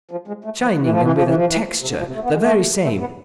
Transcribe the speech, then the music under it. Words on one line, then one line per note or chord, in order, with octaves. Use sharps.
Shining and with a texture--the very same.
F3
G#3
A3
F3
E3
F3
E3
F3
E3
F3
E3
C3
D3
F3
C3
A3
B3
G#3
A3
A3
B3